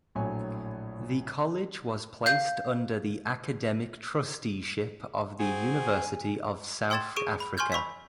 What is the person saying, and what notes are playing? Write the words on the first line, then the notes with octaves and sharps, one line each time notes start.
The College was placed under the academic trusteeship of the University of South Africa.
A#1 A2 F#3 C#5 G#5
F5 G6
C4 F#4 G#4 G#5
G5 C6 E6 G#6 A6 E7
G#4 C#6 D7 D#7
B5
G#5 C6 C#6 F6 G6 G#6
B5 C#6 E6 B6